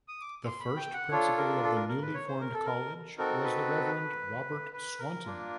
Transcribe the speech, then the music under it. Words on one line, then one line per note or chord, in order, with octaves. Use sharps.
The first principal of the newly formed college was the Reverend Robert Swanton.
D#6
D6
C6
B5
G5
F#5
D4 F4 A4 C#5
A#4
A4
A#4
A#4
B4
C#5
C5
A#4
A4
A#4
C4 D#4 F#4 A4 A#4
B4
B4
A#4
A#3 D4 F4